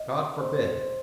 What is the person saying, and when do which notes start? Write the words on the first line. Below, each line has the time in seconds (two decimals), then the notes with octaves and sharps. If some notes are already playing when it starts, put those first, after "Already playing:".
God forbid.
Already playing: D#5
0.15 C6
0.40 C5
0.66 C5